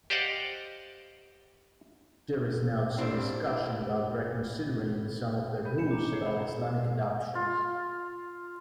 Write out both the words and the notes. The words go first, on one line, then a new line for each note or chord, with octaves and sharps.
There is now some discussion about reconsidering some of the rules about Islamic adoptions.
G4 C5 D5 D#5 F5 F#5
C4 D4 E4 G4 A4
G3 B5 G6 D#7
B1 G#5 C#7 E7
G#5 A#5 D6
C#5 G#6 C7
B5
F4